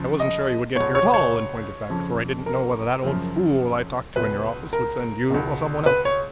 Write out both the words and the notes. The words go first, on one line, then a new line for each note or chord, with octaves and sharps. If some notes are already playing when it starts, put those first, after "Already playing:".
I wasn't sure you would get here at all, in point of fact, for I didn't know whether that old fool I talked to in your office would send you or some one else.
Already playing: C#2 C#3 F3
D#5
C#2 B2 C#5
C#5
C#5
F2 C#3 F3
A#4
F#2 C#3 F3
C#2 B2 B4
A#4
C#2 B2
B4
C#5